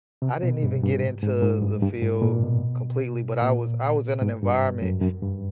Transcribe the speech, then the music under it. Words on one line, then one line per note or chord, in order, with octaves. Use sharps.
I didn't even get into the field completely, but, I was I was in an environment
C3
B2
G2
G2
G#2
G#2
G#2
G2
G2
G#2
A#2
B2
A#2
G#2
G2
F#2
F#2
G2